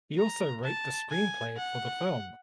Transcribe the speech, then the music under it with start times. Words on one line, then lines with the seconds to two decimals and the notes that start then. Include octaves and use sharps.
He also wrote the screenplay for the film.
0.18 A#5
0.64 A5
1.10 G#5
1.57 F#5